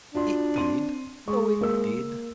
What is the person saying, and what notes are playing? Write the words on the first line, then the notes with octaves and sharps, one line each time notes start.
It did, oh it did.
D4 F4 F#4 C6
C4 C6 D#7
G#3 C#6
A#3 A#4 E6